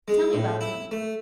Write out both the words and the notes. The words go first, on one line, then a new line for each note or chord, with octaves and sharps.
"Tell me about them."
G#3
A2
E4
A3